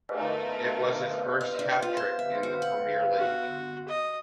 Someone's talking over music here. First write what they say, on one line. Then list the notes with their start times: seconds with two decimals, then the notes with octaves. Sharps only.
It was his first hat-trick in the Premier League.
0.16 A3 D#4 E4 A#4
1.41 F5
1.59 D4
1.82 F4
1.97 C5
2.19 E5
2.43 F#4
2.62 F#5
3.19 F#4
3.88 D#5